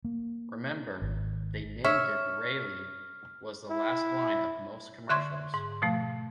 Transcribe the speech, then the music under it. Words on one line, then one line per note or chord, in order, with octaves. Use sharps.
"Remember, They named it Rely" was the last line of most commercials.
A#3
G#1
C#5 E5 C#6 F6
E4
D3 E5 C6 C#6 G#6
G#2
B2 F3 A3